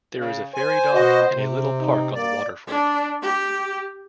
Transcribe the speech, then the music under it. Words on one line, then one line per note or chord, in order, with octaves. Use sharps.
There is a ferry dock and a little park on the waterfront.
C#3
C5 G#5
B2 F#4 D#5
C3
D#4
A#3 D5
D4
G4